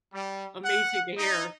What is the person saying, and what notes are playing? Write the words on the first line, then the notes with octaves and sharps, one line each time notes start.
amazing to hear.
G3
F#5
D#4